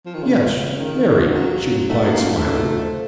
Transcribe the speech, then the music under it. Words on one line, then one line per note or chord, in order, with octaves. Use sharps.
"Yes--very," she replied, smiling.
F3
D#3
C#3 C#4 F4
D#3
F#4
F#3 C#4 F4
A3 D#4 F#4
A#3
C#4 F4
A3
D#4 F#4
F4 A4
A4 C5